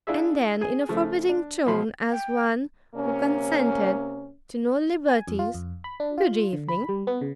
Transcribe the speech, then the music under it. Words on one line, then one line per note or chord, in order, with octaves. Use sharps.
And then in a forbidding tone, as one who consented to no liberties, "Good evening."
D4 E4 F4 G#4 E5
G#4 G#5
C#3 F3 A3
D4
B1 B2 F3 B5 C6
G5
C3 A#3 C#4
G#5
F2
F4
F2
B5
D4
F4
D3
B5
G3
B3
C#3